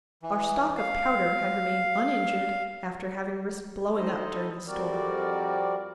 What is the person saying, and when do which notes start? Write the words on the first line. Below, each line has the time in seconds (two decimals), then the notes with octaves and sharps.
Our stock of powder had remained uninjured after having risked blowing up during the storm.
0.23 E3
0.77 F5
3.96 D#4 E4 A4 C5 D#5
4.66 F2 G3 C4 F#4 A#4 D5